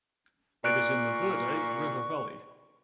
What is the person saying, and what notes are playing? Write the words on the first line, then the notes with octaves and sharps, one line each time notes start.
It is in the Verde River valley.
A#2 D5 C#6 F#6 D7